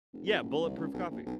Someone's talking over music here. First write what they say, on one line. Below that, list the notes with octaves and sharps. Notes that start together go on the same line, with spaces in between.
Yeah, bulletproof coffee.
F1
F2
F#1
C2
C#2
B1
A#1
B1